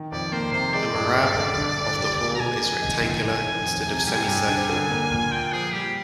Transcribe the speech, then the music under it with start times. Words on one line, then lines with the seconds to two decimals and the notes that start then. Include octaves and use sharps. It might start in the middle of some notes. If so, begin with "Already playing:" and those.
The mehrab of the hall is rectangular instead of semi-circular.
Already playing: D#3
0.12 F2 D5
0.32 A#3 C5
0.53 C3 C5
0.74 G#3 D5
0.95 G2
1.16 G2
1.36 D3
1.57 D4
1.78 D3
1.99 G4
2.20 G#3
2.35 A#5
2.40 A#3 G#5
2.62 F2
2.82 D#4
3.03 D#3
3.24 D#3 G#5
3.45 F2
3.65 F2
3.86 C3
4.06 G3 G#5
4.28 G2
4.48 D4
4.69 D3
4.90 A#3
5.11 A#2
5.31 F4 G5
5.52 F3 G#4
5.73 G3 G4